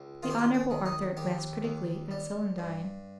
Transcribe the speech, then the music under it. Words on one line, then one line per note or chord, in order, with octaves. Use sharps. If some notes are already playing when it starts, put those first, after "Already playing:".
The Honourable Arthur glanced critically at Celandine.
Already playing: C#2
D#3 F4
G4
F4
C#4
D#3
D#4
D#2 G4
D#2
G3
G2